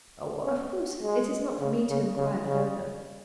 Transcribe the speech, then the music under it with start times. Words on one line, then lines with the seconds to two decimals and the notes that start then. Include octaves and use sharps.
"Of course it is not for me to enquire further."
0.44 C#4
1.02 G#3
1.60 C#3
1.89 C#3
2.16 C#3
2.45 C#3